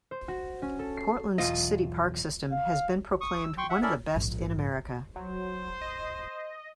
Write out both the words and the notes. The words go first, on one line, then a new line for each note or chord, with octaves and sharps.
Portland's city park system has been proclaimed one of the best in America.
C5
F#4
C#4
A4
C7
B1 E2 F4 D#5
F5
C#6 D#6
E6
G5 C6 C#6
E5 F#5
C#4 E4 A4 A#4 D5 E5
A#1 G#2
F#3 C5
D#5